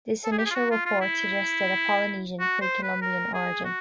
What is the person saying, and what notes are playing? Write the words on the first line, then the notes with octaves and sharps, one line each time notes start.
This initial report suggested a Polynesian pre-Columbian origin.
A4
G#4
G4
G#4
F4
F#4
F4
F4
E4
F#4
C5
B4
A#4
G#4
F#4